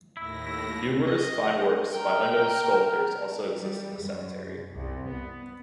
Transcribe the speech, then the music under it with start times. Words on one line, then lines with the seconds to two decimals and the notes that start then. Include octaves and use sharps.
Numerous fine works by unknown sculptors also exist in the cemetery.
0.17 D#2 A2 E4 A#6
0.46 E4
1.06 D#5
1.93 A#4 G5
3.58 G3
4.00 F#2
4.73 C2
5.08 B3